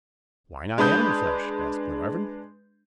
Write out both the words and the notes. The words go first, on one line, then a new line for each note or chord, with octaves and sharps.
"Why not animal flesh?" asked Glenarvan.
G#3 D4 B4 D#6 G6